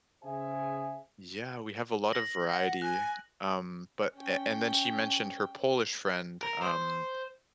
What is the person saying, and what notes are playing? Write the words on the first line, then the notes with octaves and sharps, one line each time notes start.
Yeah, we have a lot of variety, um, but a and then she mentioned her Polish friend, um
C#3 G#4 C5 E5 G#5
A#6 F#7
F#5
G#5 F#6
C#4 G5
A#4
C5